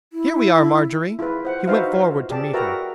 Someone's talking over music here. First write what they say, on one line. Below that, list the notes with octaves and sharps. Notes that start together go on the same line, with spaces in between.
"Here we are, Marjorie." He went forward to meet her.
E4
E4 F4 G#4 B4
C5 F#5
D#4 F#4 B4 C5 E5 F5
F4
G4 G#4 D5 A5
F#4 A#4 B4 E5 G5 A#5